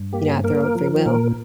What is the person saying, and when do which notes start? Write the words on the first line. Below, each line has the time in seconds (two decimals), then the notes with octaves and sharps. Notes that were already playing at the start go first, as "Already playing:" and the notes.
you know, at their own free will,
Already playing: G2
0.13 A#3 G4
0.44 A#3 A#4
0.75 F3
1.06 A#2 A#4